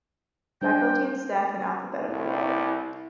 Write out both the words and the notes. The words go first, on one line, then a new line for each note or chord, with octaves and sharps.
Faculty and staff in alphabetical order.
G3 D4 C5 G5
C2 E4